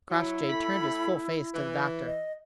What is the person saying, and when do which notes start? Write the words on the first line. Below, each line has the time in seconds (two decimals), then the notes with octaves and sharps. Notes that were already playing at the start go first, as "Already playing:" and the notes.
Crossjay turned his full face to the doctor.
0.10 F#3 E4
0.49 A2 A3 B5
1.54 E3
2.06 D#5